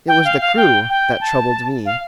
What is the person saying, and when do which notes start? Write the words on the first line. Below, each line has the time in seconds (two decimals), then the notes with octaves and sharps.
It was the crew that troubled me.
0.08 G5
0.25 F5
0.41 F5
0.57 G5
0.89 G5
1.21 A5
1.86 F5